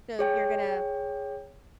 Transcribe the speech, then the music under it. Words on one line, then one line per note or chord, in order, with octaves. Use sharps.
so you're gonna
G#4 C#5 G5